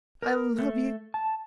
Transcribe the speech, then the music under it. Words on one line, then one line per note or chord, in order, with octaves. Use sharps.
I love you!
A#4
A3
A5